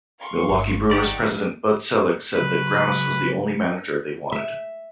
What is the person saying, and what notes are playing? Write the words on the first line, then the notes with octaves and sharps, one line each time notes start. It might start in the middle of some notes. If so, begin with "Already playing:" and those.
Milwaukee Brewers President Bud Selig said that Grammas was the only manager they wanted.
F5 C6 C#6
G1
D#3 G4 D5 F#5 A#5 C#6
C#3 F#3 B4
E5